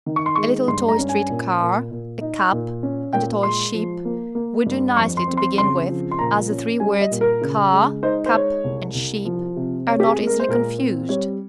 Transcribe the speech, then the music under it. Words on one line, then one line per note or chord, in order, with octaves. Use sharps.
A little toy street car, a cap, and a toy sheep, would do nicely to begin with, as the three words, "car," "cap," and "sheep," are not easily confused.
D#3
C#6
C6
G#3 C#6
G2 C6
A#5
C#4
G#5
A#2
A#2
A#2
D#4
A#2
C#4
A#2 G5
G#3 C6
F3
A#3
A#3
G2
F2 C#6
C6
C4
C6
C#3 C6
F3
C6
A#2 A#5
C#4
G3 G#5
D#5
A#2
A#4
C#3
G#3
D#4 C5
C5
G#3 C#5
C2
C2
F3
C3
C4 C#5
G4
G#4
G#3
A#4
C5
A#2 A#4
C4
G3 C#5